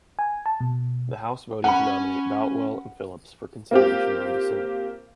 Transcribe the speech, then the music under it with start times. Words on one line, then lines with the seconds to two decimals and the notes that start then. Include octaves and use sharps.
The House voted to nominate Boutwell and Phillips for consideration by the Senate.
0.19 G#5
0.46 A5
0.60 B2
1.64 C#4 F#5 B5
3.71 A#3 C4 F4 G4